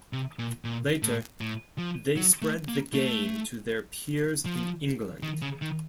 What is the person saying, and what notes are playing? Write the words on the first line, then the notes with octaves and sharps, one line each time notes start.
Later they spread the game to their peers in England.
C3
A#2
A#2
A2
A2
F3
F#3
A3
A#3
A3
F3
D#3
C#3
D#3